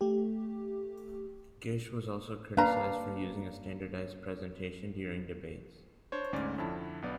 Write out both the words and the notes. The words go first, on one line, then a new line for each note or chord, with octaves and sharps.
Gish was also criticised for using a standardized presentation during debates.
A3 G4
A#3 D4 B4 F5 A#5
D4 C5 C#5
D2 G#2 C#4 D5
F2 D3 E4 A5
B1 B3 D5